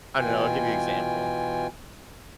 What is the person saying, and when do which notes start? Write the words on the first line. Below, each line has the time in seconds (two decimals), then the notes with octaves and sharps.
I don't know, I'll give you example.
0.18 B2 E3 F4 G5 G#5